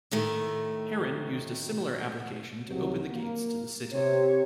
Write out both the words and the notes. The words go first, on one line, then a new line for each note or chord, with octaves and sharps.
Heron used a similar application to open the gates to the city.
A2 D#3 A3
C2 C3 F#3
A#3
C3 C#5